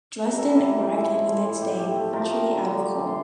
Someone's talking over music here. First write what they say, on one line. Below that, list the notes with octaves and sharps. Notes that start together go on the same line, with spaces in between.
"Dresden" arrived there the next day, virtually out of coal.
G3 A#4
E3 A4
A4
E3 E4
F3
A2
E4
E3 F4
A2
A2 G4
A3 G4
F3 A4
F3 A#4
A3
D3
D3
G3 D5
D3
C6